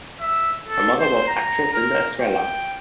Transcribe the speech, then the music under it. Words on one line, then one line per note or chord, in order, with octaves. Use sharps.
Her mother was actress Linda Estrella.
E5
A4
C5
A#5
A#4
G5